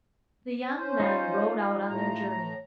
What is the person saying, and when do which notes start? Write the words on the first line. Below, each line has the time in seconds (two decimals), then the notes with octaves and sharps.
The young men rode out on their journey.
0.76 C#4 C5
1.00 D#4 F4
1.90 A2 A#5